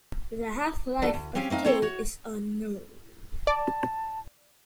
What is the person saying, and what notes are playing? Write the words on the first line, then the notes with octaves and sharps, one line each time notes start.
The half-life of K is unknown.
D4 D#4 F#4 A4
D2
C4 C#4 G4 F5 G#5
A3 C4 D#4 F5
C4 E4 A4 C5 C#5
F#4 C#5
D5 A5